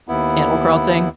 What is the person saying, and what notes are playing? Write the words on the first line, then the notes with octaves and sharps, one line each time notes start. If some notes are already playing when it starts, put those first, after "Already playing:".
Animal Crossing?
D#2 B3 E4